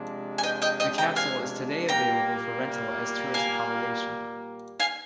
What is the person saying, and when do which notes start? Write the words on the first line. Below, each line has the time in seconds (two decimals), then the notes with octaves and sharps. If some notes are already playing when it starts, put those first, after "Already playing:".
The castle is today available for rental as tourist accommodation.
Already playing: C3 F3 G#3 D4
0.38 G#5
0.43 D#5 G5
0.62 D#5 G5
0.80 D#5 G5
0.98 G5 A#5
1.16 F5 G#5
1.89 A#2 G3 A#3 G5 A#5
3.34 F5 G#5
4.80 F5 G#5